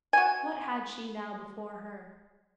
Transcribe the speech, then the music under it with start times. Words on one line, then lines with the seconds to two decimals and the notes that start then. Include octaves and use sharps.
What had she now before her?
0.13 F#4 G#5